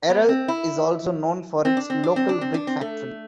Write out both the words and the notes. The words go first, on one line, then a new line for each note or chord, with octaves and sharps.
Errol is also known for its local brick factory.
B3
C4
E4
C4
D4
C4
D4
C4
D4
C4
D4
C4
A3